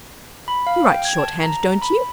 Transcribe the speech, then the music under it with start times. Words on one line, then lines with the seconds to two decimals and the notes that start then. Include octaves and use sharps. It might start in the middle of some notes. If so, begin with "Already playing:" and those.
You write shorthand, don't you?'
0.48 B5
0.67 F5
0.89 G5
1.05 G#6
1.19 A5
1.43 A#5
1.82 B5